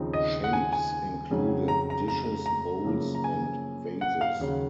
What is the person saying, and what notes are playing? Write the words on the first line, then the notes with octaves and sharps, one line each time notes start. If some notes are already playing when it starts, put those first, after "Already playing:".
Shapes included dishes, bowls, and vases.
Already playing: D#2 C#3 F3 C4 D#4
D#5
F#5
G#5
G#5
F2 C#3 F#3
A#5
A#5
A#5
A#5
F#2 C#3 F3 A#3
A#5
G#5
F#5
F5
D#2 C#3 F#3